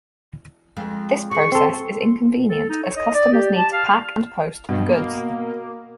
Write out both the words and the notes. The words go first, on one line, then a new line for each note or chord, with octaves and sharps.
This process is inconvenient as customers need to pack and post the goods.
F2 G#3
F#4 G#4 C#6
C4 A4 C6
A4
D#4
C#5
D#5
D5
G4
A5
F5
F6
G2 B2
A#3